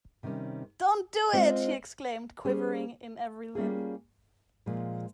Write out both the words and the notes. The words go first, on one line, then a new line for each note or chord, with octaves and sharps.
'Don't do it!' she exclaimed, quivering in every limb.
C3 D#3 G3 C#4
G#3 C4 F4 C5 F5
G3 C#4 G#4 C5
G3 A#3 C#4 F4 G#4
A#2 F3 G#3